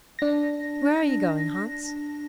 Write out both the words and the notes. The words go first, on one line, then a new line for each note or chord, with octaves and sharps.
'Where are you going, Hans?'
D4 A#6